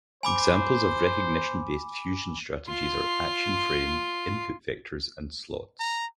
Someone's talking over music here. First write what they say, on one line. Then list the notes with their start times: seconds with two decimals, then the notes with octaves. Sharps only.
Examples of recognition-based fusion strategies are action frame, input vectors and slots.
0.23 C5 G#5 B5 D6
2.68 F4 C6
5.80 A#5